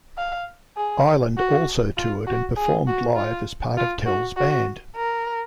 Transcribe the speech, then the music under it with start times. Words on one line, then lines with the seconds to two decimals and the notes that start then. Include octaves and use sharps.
Ireland also toured and performed live as part of Tell's band.
0.18 F5
0.77 G#4
1.38 F#4
1.97 F4
2.27 F#4
2.57 G#4
2.87 F#4
3.16 F4
3.77 F4
4.06 F#4
4.37 F#4
4.96 A#4